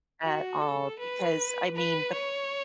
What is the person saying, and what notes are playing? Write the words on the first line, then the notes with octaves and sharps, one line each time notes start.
at all, because, I mean, the
F#4
A4
B4
B4
C#5